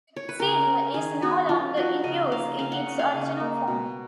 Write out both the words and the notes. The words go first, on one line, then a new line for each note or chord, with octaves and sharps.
The procedure is no longer in use in its original form.
C#5
B4
C#3 A#4
C#4
D#3 G#4
B3 F#4
F3 F4
D#4 F#4
C#3 D#5
A#3 F5
C#3 F5
F#5
C#4
F5
C#3
A#3
B2